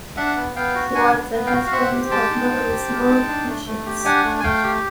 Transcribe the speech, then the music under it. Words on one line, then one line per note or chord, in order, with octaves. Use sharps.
He was the husband of novelist Maude Hutchins.
D4 E5 F#5
B3
B3 F5 G5
F#4
D4 F#5 G#5
B3
B3
F5 G5
F#4
F5
C4 E5 F#5
G4
G#3 G5 A5
D#4
C4
G4
G#3
D#4
D4
A3
A3
G4
D4 F#5 G#5
A3
G#5
A3 F5 G5
G4